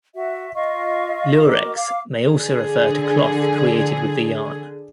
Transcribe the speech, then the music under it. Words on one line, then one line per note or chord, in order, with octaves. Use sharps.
"Lurex" may also refer to cloth created with the yarn.
F#4 E5
F4 D#5 F5 C#6
F#4 A#4 D#5 D6
F5 D6
D3 G#4